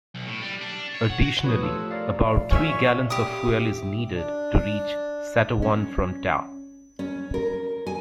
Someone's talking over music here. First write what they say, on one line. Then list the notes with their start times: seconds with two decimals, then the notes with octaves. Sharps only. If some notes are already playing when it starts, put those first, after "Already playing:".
Additionally, about three gallons of fuel is needed to reach Satowan from Ta.
0.15 B1
0.26 A2
0.42 G3
0.61 D4
0.95 C#5
1.10 F#5
1.22 F#4
1.44 A2 F3 G3 B4 C#5 D#6
1.62 F4 A4 E6
1.91 A#4 D5 F5
2.51 C#4 C#5 E5
3.10 G4 B5 D#6 E6
3.46 E5
4.14 D4
5.62 C#4
6.99 C#4
7.34 A#4
7.87 G#5